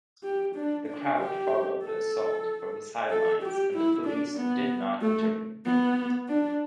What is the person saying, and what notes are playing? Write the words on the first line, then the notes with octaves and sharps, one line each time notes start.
The crowd followed the assault from the sidelines and the police did not intervene.
G4
D4
D4
G4
A4
A4
G4
E4
D4
B3
A3
B3
D4